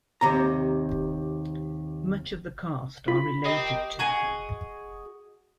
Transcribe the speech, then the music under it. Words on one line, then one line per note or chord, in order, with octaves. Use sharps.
Much of the cast are related to him.
D#2 C3 A#5
F4 B5
C4 G4 A#4 D#5 G5
F#4 G#4 D#5 G#5